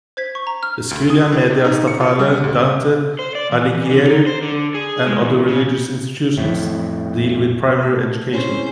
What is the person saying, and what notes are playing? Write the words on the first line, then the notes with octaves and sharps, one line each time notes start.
The Scuola Media Statale "Dante Alighieri" and other religious institutions deal with primary education.
C5 G#6 B6
C#6
A#5
F6
D2
D#6
E3
C3
D#4
C#7
F4
G3
D2
D#6
C5
D5
E3
E3
D3
D#4
C5
D3
G#4
G#3
E2
C#3
F2 A2
A3
C4 C#4 E4 G#4 C5